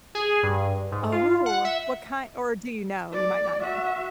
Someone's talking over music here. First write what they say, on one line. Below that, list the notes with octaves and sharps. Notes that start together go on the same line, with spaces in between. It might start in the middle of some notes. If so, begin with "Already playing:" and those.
Oh ooh, what kin or do you know? You might not know.
G#4
G2
G#2
F4
F#5
E5
D5
F#4 E5